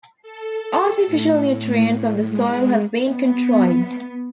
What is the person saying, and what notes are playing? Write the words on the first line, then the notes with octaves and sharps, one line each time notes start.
Artificial nutrients of the soil have been contrived.
A4
A2
G#3
B3